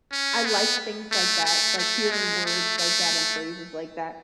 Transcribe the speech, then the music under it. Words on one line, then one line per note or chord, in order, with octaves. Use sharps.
I like things like that, like hearing words like that and phrases like that.
C#4
B3
A3
A3
A3
G#3
A3
A3